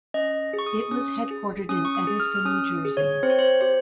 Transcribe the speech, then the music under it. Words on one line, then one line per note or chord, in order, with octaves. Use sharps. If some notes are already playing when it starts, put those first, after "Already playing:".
It was headquartered in Edison, New Jersey.
C#4 D#5
G#4
C#6
D#6
C#4 D#6
G#4
C#4 D#6
C#6
D#6
G#4
F6
F6
C#4 D#6
G#4
C#5
C4 C5
C#5
C5
G4 C5